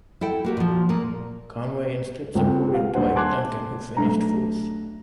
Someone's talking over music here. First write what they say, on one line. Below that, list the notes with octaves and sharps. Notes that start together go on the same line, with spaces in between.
Conway instead supported Dwight Duncan, who finished fourth.
E4 A4 G5
A#3 F#4 G4
A#2 F3
A#2 A#3
C#2 C4 G5
G4 F5
D#1 D4 C5 F#5
G#5 A5 C6 D6 F#6 G#6
B1 A3 D4 A#5